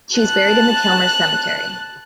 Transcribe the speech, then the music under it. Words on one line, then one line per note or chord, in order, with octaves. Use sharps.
She is buried in the Kilmuir Cemetery.
A5 F#6